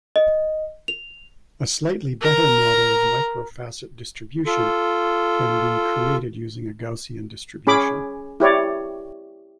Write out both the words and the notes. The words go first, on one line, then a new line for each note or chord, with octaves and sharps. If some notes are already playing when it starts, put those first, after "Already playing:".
A slightly better model of microfacet distribution can be created using a Gaussian distribution.
D#5
F7
A#4 A#5
F4 A4
C#4 G#4 B5 D6
E4 G4 C#5 D5